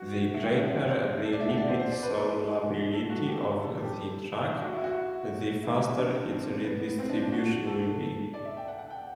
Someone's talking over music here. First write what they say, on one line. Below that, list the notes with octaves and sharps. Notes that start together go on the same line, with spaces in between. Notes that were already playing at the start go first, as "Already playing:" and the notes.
The greater the lipid solubility of the drug, the faster its redistribution will be.
Already playing: F#4
E5
G5
F#5
E5
C5
E5
C5
A4
D5
E5
F#5
D5
C5
C5
D5
B4
A4
A4
F#4
G4
A4
A4
G4
F#4
E4
F#4
E4
D4
C4
B3
C4
D4
D4
F#4
A4
D5
E5
G5
F#5
F#5
G5